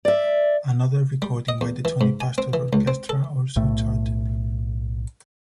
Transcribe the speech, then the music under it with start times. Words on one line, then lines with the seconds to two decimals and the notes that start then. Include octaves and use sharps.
Another recording by the Tony Pastor orchestra also charted.
0.05 D5 E5
1.22 G3
1.49 D#5
1.61 E2
1.85 E3
2.01 G#2
2.21 G#5
2.38 C4
2.53 E3
2.73 C#2
2.88 C4
3.09 A4
3.56 B1 A2 A3